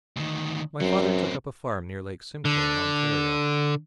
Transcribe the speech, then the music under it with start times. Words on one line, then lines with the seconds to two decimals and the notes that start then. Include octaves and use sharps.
My father took up a farm near Lake Simcoe, in Ontario.
0.17 D2 D#3
0.81 F#2 F#3 C4
2.45 D3